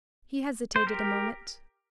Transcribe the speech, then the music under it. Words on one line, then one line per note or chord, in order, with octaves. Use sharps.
He hesitated a moment.
C5
G4 A#4